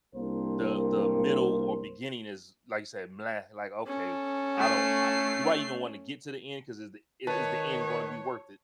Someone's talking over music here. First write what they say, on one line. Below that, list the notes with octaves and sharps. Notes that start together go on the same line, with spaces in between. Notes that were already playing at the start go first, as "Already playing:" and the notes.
the the middle or beginning is, like you said, "bleh," like, okay, I don't, uh "Do I even wanna get to the end 'cause is the is is the end gonna be worth it?"
C2 A#3 C4 D4 A#4 C5
C#4 A4
A3 C7
D#3 B4 C#5 A5